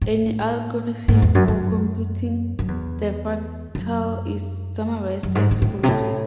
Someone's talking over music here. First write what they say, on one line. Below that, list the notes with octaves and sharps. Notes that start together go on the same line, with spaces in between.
An algorithm, for computing the fractal is summarized as follows.
A2
G#2
E2
F#2
F#2
F#2
E2
F#2
F#2
G#2
G#2
A2
C3
A2